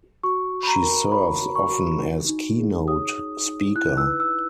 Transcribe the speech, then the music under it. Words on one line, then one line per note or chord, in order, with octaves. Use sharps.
She serves often as keynote speaker.
F#4 C#6
F#4
B5
A#5
A#4
C#5 B5
F#4
C#6
F#4
D#4
D#4
G#4
C#5 D#6
D#4
D#4
E4 F#6
E6
B4
E6